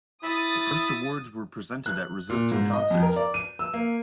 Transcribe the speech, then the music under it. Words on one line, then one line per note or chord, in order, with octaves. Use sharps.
The first awards were presented at Resist in Concert!
E4 D#6 A6
F#6
A#2
G#2
D#5
F2
A#4
D5
D#7
E6
A#3